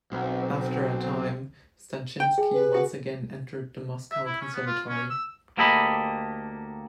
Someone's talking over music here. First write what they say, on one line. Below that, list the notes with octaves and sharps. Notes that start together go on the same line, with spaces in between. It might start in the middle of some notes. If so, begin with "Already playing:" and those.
After a time, Stanchinsky once again entered the Moscow Conservatory.
B1 C4
G5
G#4
B4
F#4
E5
E4
C#4
B3
F4
C#4
E6
D2 A#3 G4 A4 D#5 B5